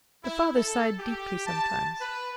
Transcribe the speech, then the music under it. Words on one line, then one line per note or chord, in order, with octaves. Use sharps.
The father sighed deeply sometimes.
E4
A4
G4
A5
B4